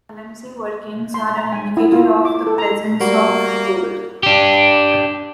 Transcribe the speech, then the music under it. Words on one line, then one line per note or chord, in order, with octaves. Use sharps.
Galamsey workings are an indicator of the presence of gold.
C6
A#5
G#5
E4
F4
D6
A4
A#5
G3 A#3 F#4
D4 G4